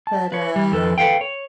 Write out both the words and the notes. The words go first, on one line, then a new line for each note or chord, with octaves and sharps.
But, uh
A5
B4 C#5
G3
F2 A4 B4
A4 B4 F5 G5
C#5